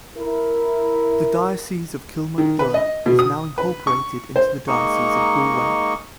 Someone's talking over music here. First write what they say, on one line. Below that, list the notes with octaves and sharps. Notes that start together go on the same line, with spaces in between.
The Diocese of Kilmacduagh is now incorporated into the Diocese of Galway.
E4 A#4
D#3
B4
D#5
B2
D#6
B4
C#6
C5
G#3 A#3 D#4 C#6